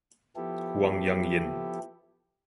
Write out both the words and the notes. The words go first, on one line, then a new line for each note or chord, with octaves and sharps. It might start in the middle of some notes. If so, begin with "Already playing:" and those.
Huang Yang Yin.
F3 B3 E4 G4 A4